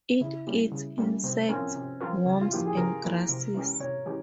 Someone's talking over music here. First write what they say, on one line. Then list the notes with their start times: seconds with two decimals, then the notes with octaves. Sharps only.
It eats insects, worms and grasses.
0.21 C#3 E4
0.47 G3 A#3 C#4
0.72 C#3
0.98 G3 A#3 C#4
1.24 C3 C4
1.49 F3 C4 C#4 F4 A#4
1.75 C3
2.01 F3 C4 F4 A#4
2.26 C#3
2.41 F4
2.52 F3 A#3 E4 G4
2.66 G#4
2.77 C#3 A#4
3.03 F3 A#3 E4
3.29 C3
3.54 E3 G#3 C#4 G4
3.80 C3 C#5
4.06 E3 G#3 C#4 G4